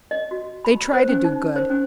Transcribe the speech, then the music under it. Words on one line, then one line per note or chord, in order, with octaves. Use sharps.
They try to do good.
D#5
F#4
B5
C5
C#4
D#4
C5
C#4